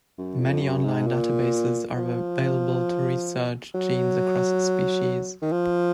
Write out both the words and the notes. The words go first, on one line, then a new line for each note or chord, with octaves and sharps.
Many online databases are available to research genes across species.
F#2
F2
F#2
G#2
A#2
F3
F#3
D#3
F3